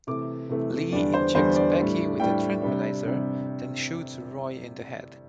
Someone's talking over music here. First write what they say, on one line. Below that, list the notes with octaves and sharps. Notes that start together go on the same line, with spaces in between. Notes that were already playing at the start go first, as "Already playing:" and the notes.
Lee injects Becky with a tranquilizer then shoots Roy in the head.
C3 E3 A3 D6
C3 E3 A3
E2 D3 G3 D4 D5
C5
E2 D3 G3 D4 C5
D5
A2 G3 D4
A2 G3 D4 G5
C3 G3 D4
C3 G3 D4